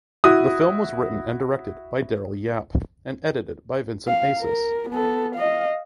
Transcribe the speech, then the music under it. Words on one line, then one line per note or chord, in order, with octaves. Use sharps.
The film was written and directed by Darryl Yap and edited by Vincent Asis.
E4 F#4 D#6
F5
A#4
B3 A4
D#5 F5